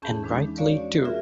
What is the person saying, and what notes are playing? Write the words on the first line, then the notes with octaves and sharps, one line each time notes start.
And rightly too.
E2 C#4 G#4 A5 B5 G6
E3 G#3 D4 D#4
C#4 F#4 C#5 D5 F5
F4 F#4 G#4 A#4 E5